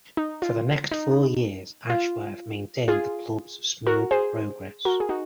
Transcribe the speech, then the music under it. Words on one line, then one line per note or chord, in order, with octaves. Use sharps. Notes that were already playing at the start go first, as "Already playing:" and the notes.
For the next four years Ashworth maintained the club's smooth progress.
D#4
F4
D#4
F4
F4 G#4
F#4 A#4
G#4 C5
F#4 A#4
G#4
D#4 F#4